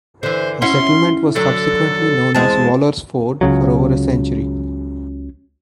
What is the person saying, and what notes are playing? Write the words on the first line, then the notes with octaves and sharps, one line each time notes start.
The settlement was subsequently known as Waller's Ford for over a century.
D3 E3 C5
C#4 E4 F#4 C6
D3 F#3 A4
E2 G#3 C4 A5
C#2 C#3 F#3